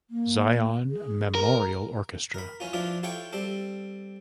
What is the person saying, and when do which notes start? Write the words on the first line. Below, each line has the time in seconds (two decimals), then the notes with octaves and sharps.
Zion Memorial Orchestra.
0.10 A#3
0.90 G#4
1.35 A#4
2.34 A#4 B5
2.60 E3 C#4 F4
2.73 E3 F3 D4 E4 F4
3.03 E4 F4 A4 C#5 G5 C#6
3.33 G3 C4 A4